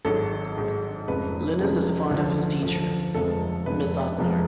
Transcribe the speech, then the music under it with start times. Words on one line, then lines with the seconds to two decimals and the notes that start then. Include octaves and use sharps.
Linus is fond of his teacher, Miss Othmar.
0.05 G#1 G#2 F#3 A4
0.57 G#1 G#2 F#3
1.08 F1 F2 C#3 F3 G#3 B4
1.60 F1 F2 C#3 F3 G#3
2.11 D2 D3 F3
2.63 D2 D3 F3
3.14 F1 F2 F3 G#3 A4
3.66 F1 F2 F3 G#3 B4
4.18 F1 F2 F3 G#3